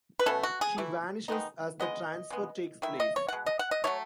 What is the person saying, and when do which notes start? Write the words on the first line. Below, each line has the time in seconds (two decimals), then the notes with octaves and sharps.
She vanishes as the transfer takes place.
0.19 B4
0.26 B2 A3 C#4 A4
0.43 F#4
0.61 G#4
0.78 E3 A3 E4
1.28 D#3 G#3 B3 D#4
1.80 C#3 G#3 B3 D#5
2.30 C#3 G#3 B3
2.82 D#3 A3 E4 E5
3.00 D#5
3.16 C#5
3.28 F#5
3.33 B2 G#3
3.46 D#5
3.59 F#5
3.71 D#5
3.84 F#3 A3 E4 C#5